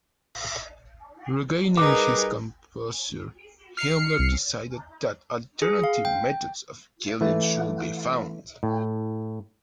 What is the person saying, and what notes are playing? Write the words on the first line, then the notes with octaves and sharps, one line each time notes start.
Regaining his composure, Himmler decided that alternative methods of killing should be found.
G3 D#4 G#4 A#4 B4 D6
F6 C7 C#7
C2
G#4
F5
G5
E3 A3
A2